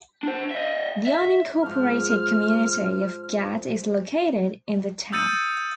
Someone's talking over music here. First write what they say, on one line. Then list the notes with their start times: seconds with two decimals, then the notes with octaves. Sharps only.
The unincorporated community of Gad is located in the town.
0.23 D4 C5
0.51 D#5 E5
1.08 E5
1.63 G#2 F3 F6
5.12 D#6 E6 G6 A6 C#7 D#7